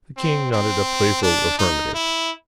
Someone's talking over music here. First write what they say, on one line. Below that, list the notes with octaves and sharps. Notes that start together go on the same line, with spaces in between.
The king nodded a playful affirmative.
C4
C4
D4
D#4
E4